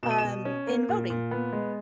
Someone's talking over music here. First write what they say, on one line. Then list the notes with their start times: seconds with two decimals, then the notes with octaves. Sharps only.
um, in voting.
0.03 B2 E7
0.11 D#7
0.18 E7
0.24 B2
0.45 C#4
0.67 A#3
0.89 A#2
1.10 A#2
1.31 B3
1.53 G#3